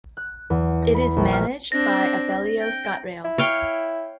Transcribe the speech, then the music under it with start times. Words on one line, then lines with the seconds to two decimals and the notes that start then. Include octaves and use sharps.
It is managed by Abellio ScotRail.
0.17 F#6
0.50 E2
0.82 A#6
0.94 B5
1.17 A#1
1.33 F6
1.72 C4 D4 A#6
2.61 G5
3.25 E4
3.38 C#5 F5 G5